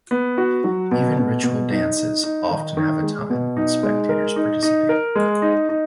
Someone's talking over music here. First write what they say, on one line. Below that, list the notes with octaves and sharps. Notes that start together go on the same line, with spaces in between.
Even ritual dances often have a time when spectators participate.
B3
F#4
F#3
B2
B2
B2
D#4
D#4
D#4
D#3
D#3
G#3
B2
D#4
G#3
A#4
D#4
D#4
A#4
G#3
D#4
D#4